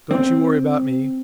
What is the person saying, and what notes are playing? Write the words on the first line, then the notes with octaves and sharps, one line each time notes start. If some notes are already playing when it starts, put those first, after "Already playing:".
Don't you worry about me.
C4